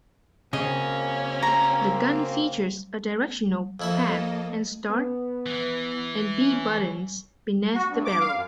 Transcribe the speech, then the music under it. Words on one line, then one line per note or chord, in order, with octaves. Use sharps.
The gun features a directional pad and Start and B buttons beneath the barrel.
F#2 C#3 A#3 C4 C#4 D#5
A#5
F2 A#3 E4 A4 D#5 E5
B3
E3
C#4
F#4
G2
D6
F5
F#2